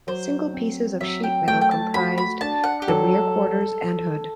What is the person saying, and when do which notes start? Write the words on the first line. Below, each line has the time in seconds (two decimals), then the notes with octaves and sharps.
Single pieces of sheet metal comprised the rear quarters and hood.
0.07 F#3 C5
0.54 C4
1.01 F#3 E5
1.23 G5
1.47 A3 G5
1.61 G5
1.71 A5
1.94 F#4 B5
2.18 B5
2.41 D4 A5
2.64 F#5
2.82 G4
2.88 F#3 A4